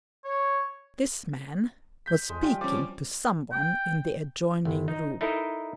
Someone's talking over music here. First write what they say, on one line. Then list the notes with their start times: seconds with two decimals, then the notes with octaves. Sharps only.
This man was speaking to someone in the adjoining room.
0.25 C#5
2.06 G6 B6
2.29 F2 G#3
2.42 G3 F4 D5 G5
2.61 F3 C#4 D6
3.52 G5
4.65 G1
4.88 D#4
5.21 D#4 E4 A4 A#4 D#5